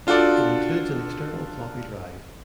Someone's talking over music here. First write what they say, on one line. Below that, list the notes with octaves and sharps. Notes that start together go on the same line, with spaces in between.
It includes an external floppy drive.
D4 F4 F#4 A4 D5